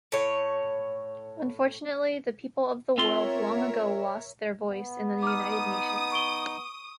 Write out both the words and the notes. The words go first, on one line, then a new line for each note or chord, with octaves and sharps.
Unfortunately, the people of the world long ago lost their voice in the United Nations.
A2 C#5
C4 F4 A#4 C#5 E5 C6
B3
D#4 D6 D#6 F6
C#6 D7 G7